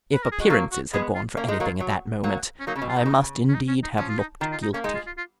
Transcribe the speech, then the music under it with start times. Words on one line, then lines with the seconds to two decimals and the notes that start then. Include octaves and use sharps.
If appearances had gone for anything at that moment I must indeed have looked guilty.
0.13 B4
0.23 A#4
0.32 G#4
0.40 G#3 F#4
0.50 F#3 A#3 F4
0.72 F#4
0.93 G#3 B3 G#4
1.15 F4
1.37 A#3 C#4
1.49 G#3 D#4
1.60 F#3 A#3 F#4
1.66 F4
1.80 F#3
2.24 F#3 A#3
2.60 C#4
2.67 F#3 A#3 D#4
2.76 C#3 C#4
2.82 B2
2.89 F4
2.96 A#2
3.00 D#4
3.06 B2
3.11 C#3
3.49 C#4
3.54 D#4
3.68 C#4
3.83 D#4
3.98 F3 C#4
4.09 F4
4.19 D#4
4.41 D#3 F4
4.52 F4
4.62 D#4
4.74 A#3 C#4
4.84 G#3 D#4
4.95 F4
5.06 F4
5.18 F4